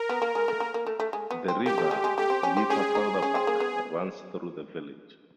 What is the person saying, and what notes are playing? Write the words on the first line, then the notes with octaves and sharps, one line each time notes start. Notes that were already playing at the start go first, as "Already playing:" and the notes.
The river "Wipperfelder Bach" runs through the village.
Already playing: A#4
B3
A#3
G#3
A3
A#3
A#3
A3
A3
G#3
B3
C4
A#3 G4
A3
G#3
G#3
A3 G4
C4
C#4
C4
C#4 G#4
D#4
C#4
C4
A#3
B3